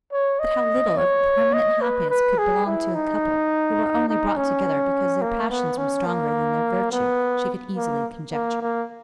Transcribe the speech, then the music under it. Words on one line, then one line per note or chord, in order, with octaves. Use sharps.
But how little of permanent happiness could belong to a couple who were only brought together because their passions were stronger than their virtue, she could easily conjecture.
C#5
D#5
C#5
D#5
B4
B4
G#4
E4
D#4
D#4
C#4
A#3
B3
C#4
A#3
B3
A#3
A#3
A#3